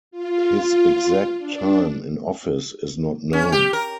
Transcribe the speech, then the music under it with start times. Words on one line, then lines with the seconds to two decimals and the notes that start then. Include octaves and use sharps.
His exact time in office is not known.
0.11 F4
1.38 D4
3.33 C#4
3.52 G4
3.73 A#4